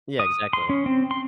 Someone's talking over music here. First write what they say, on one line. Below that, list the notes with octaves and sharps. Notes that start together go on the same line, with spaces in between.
Yeah, exactly.
D#6
C6
C#4
C4
C6